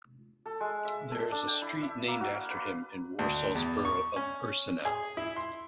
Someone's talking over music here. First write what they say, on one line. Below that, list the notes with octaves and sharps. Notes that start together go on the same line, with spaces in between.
There is a street named after him in Warsaw's borough of Ursynow.
A4
G#3
E5
A4
D4
G5
E4
E5
A#3
F#4
F5
B4
D2
E2
C#6
C#4
G#4
E4
C6